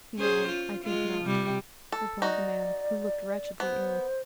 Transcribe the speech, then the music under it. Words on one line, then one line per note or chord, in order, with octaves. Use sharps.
"No, I think not," replied the man, who looked wretchedly ill.
C#4 G#4 C5
F4
G#3 F4
C3 G3 G4
A4
D#4 F#4 D5
B3 C5